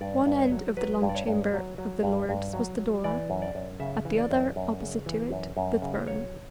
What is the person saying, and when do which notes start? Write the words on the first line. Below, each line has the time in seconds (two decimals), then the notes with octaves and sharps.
At one end of the long chamber of the Lords was the door; at the other, opposite to it, the throne.
0.01 G2 D5
0.26 G2
0.39 C#5
0.52 F#3
0.77 F#3 B4
1.02 G2
1.09 D5
1.15 C#5
1.27 G2
1.53 F#3
1.78 F#3
2.03 G2
2.29 G2
2.53 F#3
2.79 F#3
3.04 E3 D5
3.30 F#2
3.42 D5
3.55 F#2
3.80 C#3 E5
4.05 E3
4.18 D5
4.31 F#2
4.56 F#2
4.81 C#3
5.06 E3
5.32 F#2
5.57 F#2
5.82 C#3
6.07 F#3 C#5